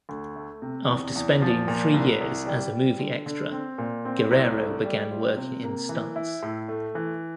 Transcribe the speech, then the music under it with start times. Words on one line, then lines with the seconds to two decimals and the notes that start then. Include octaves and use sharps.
After spending three years as a movie extra, Guerrero began working in stunts.
0.09 D2
0.36 A3
0.62 C3
0.89 E2
1.15 E2
1.42 F3
1.68 A#2
1.94 C2
2.21 C2
2.47 G3
2.73 G3
2.99 D3
3.26 D3
3.52 C4
3.78 A#2
4.05 C4
4.31 C2
4.57 A3
4.84 G3
5.10 F4
5.37 C3
5.64 A#3
5.89 E3
6.16 E4
6.43 A2
6.69 A3
6.95 E3